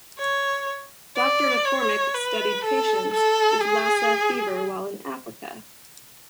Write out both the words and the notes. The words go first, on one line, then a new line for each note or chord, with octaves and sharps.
Doctor McCormick studied patients with Lassa Fever while in Africa.
C#5
D5
C#5
B4
A4
A4
G#4